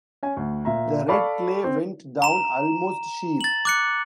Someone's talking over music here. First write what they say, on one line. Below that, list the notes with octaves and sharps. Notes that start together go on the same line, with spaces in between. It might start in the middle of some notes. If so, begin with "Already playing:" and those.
The red clay went down almost sheer.
C#4 G#5
D2
A#2 E5 A#5
A4 D5 F5 B5 C#6
C4
A#5 E7
A6 F#7
D6 F#6 C#7